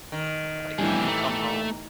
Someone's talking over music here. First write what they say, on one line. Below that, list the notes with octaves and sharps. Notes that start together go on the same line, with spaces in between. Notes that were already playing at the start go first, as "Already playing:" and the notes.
like, when you come home,
D#3
A2 E3 F3 G3 D4 E4 G4 G#4
A3 A#5